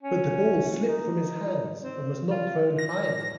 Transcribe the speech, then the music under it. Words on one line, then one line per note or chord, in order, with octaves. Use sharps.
But the ball slipped from his hands and was not thrown high enough.
C#4
D#4
C4
F4
A#6